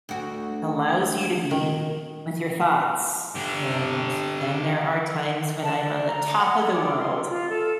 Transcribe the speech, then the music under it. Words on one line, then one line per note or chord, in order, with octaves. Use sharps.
allows you to be with your thoughts, and then there are times when I'm on the top of the world,
D2 F#4
D#3
D3 G4
A5
D5
A#5
F#5
A4
D6
C6
F4
A4